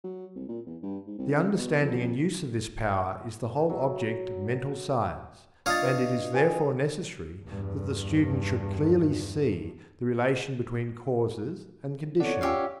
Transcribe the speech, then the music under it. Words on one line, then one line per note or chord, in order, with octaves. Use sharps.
The understanding and use of this power is the whole object of Mental Science, and it is therefore necessary that the student should clearly see the relation between causes and conditions.
F#3
C2
A#2
E2
G2
G#2
C2
C#3
B2
F2
F2
F#3
D4 F4 C#5 D#5 F5 D#6 F6 A6
B4
B4 G5 G#5
E2 G2
B3 C4 A4 C#5 D5 F#5
C#4 F4 G4 E5 F5 G#5